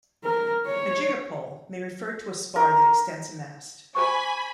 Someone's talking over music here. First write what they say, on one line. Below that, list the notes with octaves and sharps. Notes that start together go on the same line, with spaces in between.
A jiggerpole may refer to a spar that extends a mast.
A#4
C#5
A#4
G#4 C5 G#5 B5 C#6